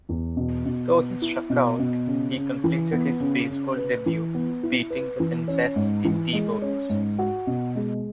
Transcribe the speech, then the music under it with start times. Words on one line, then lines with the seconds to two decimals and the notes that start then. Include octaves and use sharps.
Though he struck out, he completed his baseball debut beating the Kansas City T-Bones.
0.09 E2
0.37 B2
0.65 B2
0.93 B3
1.22 E4
1.50 B2
1.79 B2
2.07 C#3
2.36 C#3
2.64 E3
2.92 B3
3.20 C#3
3.50 C#3
3.77 B4
4.06 E3
4.34 B3
4.63 E4
4.90 B4
5.20 E3
5.48 C#4
5.76 G#2
6.05 E3
6.33 G#3
6.62 C#4
6.90 G#2
7.18 F#4
7.47 B2
7.76 G#3